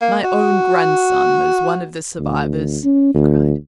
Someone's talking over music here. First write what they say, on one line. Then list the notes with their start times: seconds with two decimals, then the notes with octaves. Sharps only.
"My own grandson is one of the survivors," he cried.
0.02 A#3
0.24 F#4
2.19 D2
2.84 C#4
3.14 D2